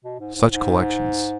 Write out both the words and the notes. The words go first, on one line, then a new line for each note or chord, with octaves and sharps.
Such collections!
B2
G#2
G#2
A2
G#2